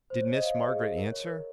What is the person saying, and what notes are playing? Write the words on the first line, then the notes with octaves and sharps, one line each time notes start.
"Did Miss Margaret answer?"
C5
C#5
D#5
F5
D#5
G#4
G#4
A#4
C#5
A#4